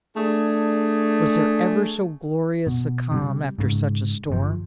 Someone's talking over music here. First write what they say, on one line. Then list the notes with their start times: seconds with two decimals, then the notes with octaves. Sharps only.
Was there ever so glorious a calm after such a storm?
0.17 A3 D4 G#4
2.67 B2
3.12 C3 F#3 G3
3.59 G#2 C#3
4.30 G1 C3 F3